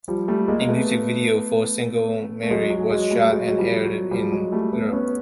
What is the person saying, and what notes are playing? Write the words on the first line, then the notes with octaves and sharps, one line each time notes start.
A music video for the single "Merry" was shot and aired in Europe.
F3 G3
G3 A3
G#3 A#3
A3 B3
A3
F#3 G#3
F#3
F#3 G#3
G3 A3
F#3 G#3
F#3
F3 G3
F#3
F3 G3
F#3 G#3
G3 A3
A3 B3
B3 C#4